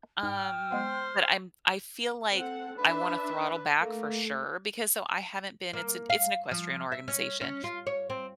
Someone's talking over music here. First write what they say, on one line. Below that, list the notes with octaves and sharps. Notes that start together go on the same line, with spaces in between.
um, but I'm I feel like I wanna throttle back for sure because so, I haven't been it's an it's an equestrian organization.
G#2 G5 F6
G#3 B3 C5
C4 A4 F#5
D4 B4 E5
A3 A#3
A#3
F5
F3
E5
C#4
C#4
F4
C#5
C4